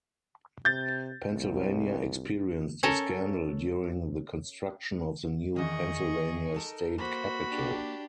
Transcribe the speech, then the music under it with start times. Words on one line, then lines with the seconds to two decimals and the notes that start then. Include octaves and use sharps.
Pennsylvania experienced a scandal during the construction of the new Pennsylvania State Capitol.
0.65 C3 G6 A6
1.32 C2
2.83 C#4 A4 A#4
5.56 E2 D#3 G#4 D#5 C#6
6.54 D#4 A4 A#4
6.98 A#3 F#4 C5 B5
7.49 D4 G4